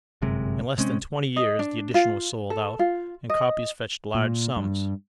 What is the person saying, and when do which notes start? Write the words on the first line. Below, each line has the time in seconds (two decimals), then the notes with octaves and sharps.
In less than twenty years the edition was sold out, and copies fetched large sums.
0.22 G1 F#2 C3 G#3
0.78 C3 G#3 C4 C#4
1.36 D#5
1.59 D4
1.94 F4
2.50 A4
2.79 F4
3.30 D#5
4.15 A#2
4.56 G2